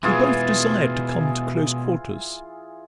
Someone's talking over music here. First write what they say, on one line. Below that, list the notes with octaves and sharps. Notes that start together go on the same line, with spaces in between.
We both desired to come to close quarters.
B2 E3 G#3 F4 G#4